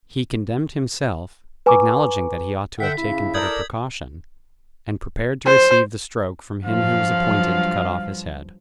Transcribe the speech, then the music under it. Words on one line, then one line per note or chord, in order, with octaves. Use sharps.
He condemned himself, acknowledging that he ought to have taken better precaution, and prepared to receive the stroke from him who was appointed to cut off his head.
B4 G#5 A#5 C#6 D6
D3 E5 F#5 G5 B6
C#3 E4
A4 A#4 D5 D#6 G6 G#6
C5
G2 F3 F#3 F5